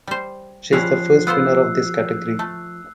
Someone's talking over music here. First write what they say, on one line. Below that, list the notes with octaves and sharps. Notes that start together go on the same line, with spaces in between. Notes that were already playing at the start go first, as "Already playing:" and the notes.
She is the first winner of this category.
G3 C5
F3 G3 C#4 E4 F#6 C7
B3 F4 C5 E6 F#6
A3